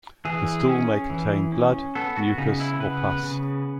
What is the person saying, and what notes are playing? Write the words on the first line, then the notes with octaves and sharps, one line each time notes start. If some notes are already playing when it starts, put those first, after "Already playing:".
The stool may contain blood, mucus, or pus.
E3 G#4
C#4
E3
C#4
B3 A4
F#4
C#3 D#4
E4
B3 B4
C#3